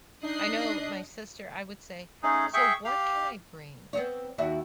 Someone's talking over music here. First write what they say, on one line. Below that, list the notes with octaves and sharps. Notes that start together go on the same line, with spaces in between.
I know my sister I would say, "So, what can I bring?
D4 D#4 D#5 D#6 F#6 C7
A3 C#4 D#4 G#4
G#4 E5 G5 C#6
G4 F5
B3 C4 C#5
D#2 E4 F#4